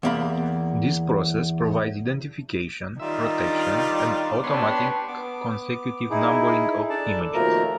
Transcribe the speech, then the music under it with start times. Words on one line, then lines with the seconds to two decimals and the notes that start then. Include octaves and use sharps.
This process provides identification, protection, and automatic consecutive numbering of the images.
0.03 E2 A#3 B5
2.99 D#3 G3 F4 E5
3.46 D4
4.44 B3 D4 G4 C#5 C6
5.08 B3 D6
6.10 D#4 E4 G#4
6.90 D4 A4 D5 A5
7.34 D#2 B2 F3 A3 A#4 A#5